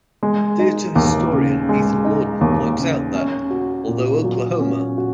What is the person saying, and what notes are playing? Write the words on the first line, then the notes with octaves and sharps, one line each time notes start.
Theater historian Ethan Mordden points out that, although Oklahoma!
G#3
D#4
D#2
C#3
G#3
D#4
D#2
C#3
C#4
F#4
A#2
F#3
C#4
F#4